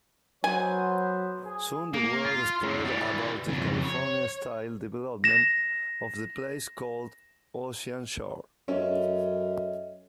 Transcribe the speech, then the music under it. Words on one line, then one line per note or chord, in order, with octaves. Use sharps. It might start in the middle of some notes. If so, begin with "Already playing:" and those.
Soon the word spread about the California-style development of the place called Ocean Shores.
F#3 B3 C5 G#5
G#4
A#3
F4
F#2 A2
E3 G3
F2 C#3
C#5
A#6 E7
F#2 C#4 A4 D#5 E5